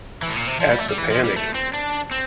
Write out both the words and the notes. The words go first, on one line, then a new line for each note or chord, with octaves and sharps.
At the Panic!
E3
A2
A#2
C3
F3
G3
A3
G3
E3
F3
G3
A3
C4
D4
C4